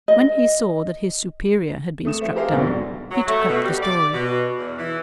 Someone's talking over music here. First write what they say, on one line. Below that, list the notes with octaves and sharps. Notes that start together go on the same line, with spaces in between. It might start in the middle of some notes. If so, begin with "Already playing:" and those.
When he saw that his superior had been struck dumb, he took up the story.
D#5
A3 D#6 E7
F3 C5 E5
G4 G#4 A#4 C5 E5 F5
A#1 G#2 B2 D3 F#3 G3
F#3
A3
B2
G3
D5
B2
E2
E3